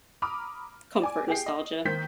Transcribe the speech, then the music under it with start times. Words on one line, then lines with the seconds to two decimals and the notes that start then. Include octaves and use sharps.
comfort nostalgia.
0.22 A#5 B5 D6 D#6 F6
1.01 D5 G#5 D6
1.28 G4 G#4 G5 C7
1.46 D#5
1.85 D#3 A#3 C5 G6 B6